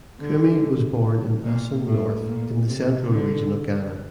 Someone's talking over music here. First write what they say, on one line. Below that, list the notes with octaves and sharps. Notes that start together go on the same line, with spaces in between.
Kumi was born in Assin North in the Central Region of Ghana.
D3
A#2
A2
A#2
C3
D3